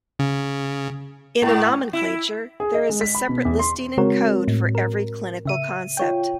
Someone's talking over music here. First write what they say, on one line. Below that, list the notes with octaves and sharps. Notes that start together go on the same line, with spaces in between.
In a nomenclature there is a separate listing and code for every clinical concept.
C#3
G#2
E4
G#4
D#5
G#3
B6
B5
B2
E2
C6
C#3 G#3 C4 F#4 A#4 C#5
A2
A#4
C#3 E5 D#7
F4 C#5 G5